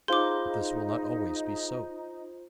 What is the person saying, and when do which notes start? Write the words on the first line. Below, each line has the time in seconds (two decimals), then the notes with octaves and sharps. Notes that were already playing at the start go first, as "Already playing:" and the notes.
But this will not always be so.
0.08 D#4 F4 G#4 C5 F5 C6 D6 G6